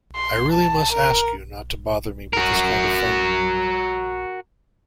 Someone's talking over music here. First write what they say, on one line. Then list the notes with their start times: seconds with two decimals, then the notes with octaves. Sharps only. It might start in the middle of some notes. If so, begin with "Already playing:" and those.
I really must ask you not to bother me with this kind of thing.
0.16 C6
0.53 A5
0.93 A#4
2.33 F#4 A#4